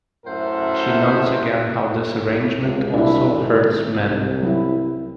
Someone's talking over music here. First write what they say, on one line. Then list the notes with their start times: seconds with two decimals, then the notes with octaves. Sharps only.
She notes again how this arrangement also hurts men.
0.26 F#2 A2 A#4 C5 E5 F#5
2.60 C#2
2.94 C2 D4 E4
3.28 G#1
3.96 C2
4.42 F#3 E4